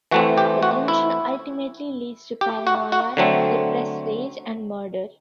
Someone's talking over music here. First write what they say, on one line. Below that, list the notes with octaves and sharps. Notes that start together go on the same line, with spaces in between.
The tension ultimately leads to paranoia, repressed rage and murder.
E3 A3 C4 F#4
G4
F#4
E4
G4
F#4
F#4
D3 F#3 A3 C4